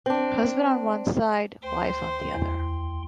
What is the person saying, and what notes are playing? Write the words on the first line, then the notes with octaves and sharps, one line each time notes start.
Husband on one side, wife on the other.
C4 D4
D2 C5 G5 C6
E2